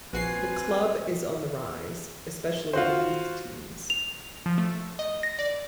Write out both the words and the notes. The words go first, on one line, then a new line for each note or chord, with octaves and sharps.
The club is on the rise, especially the youth teams.
A#1 C4 F#4 B4 G#5 C7
F4 F#4 C5
F7
F3
A3
D#5
A#6
D5